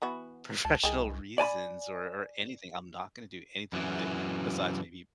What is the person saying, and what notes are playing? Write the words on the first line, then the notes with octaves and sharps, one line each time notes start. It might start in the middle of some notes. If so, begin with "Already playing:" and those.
professional reasons, or or anything. I'm not going to do anything with it, besides maybe
E3 B3 F#4
C#2 A5
C2 D#3 G#4
D5 G#5 A5 B5
F#2 E3